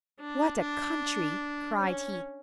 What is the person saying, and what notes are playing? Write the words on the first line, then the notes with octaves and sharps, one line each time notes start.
"What a country!" cried he.
D4
D4
C#4